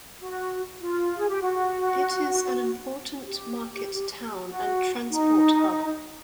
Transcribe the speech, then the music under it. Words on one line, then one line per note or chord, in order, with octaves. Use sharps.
It is an important market town and transport hub.
F#4
F4
G#4
G4
F#4
G4
F#4
D#4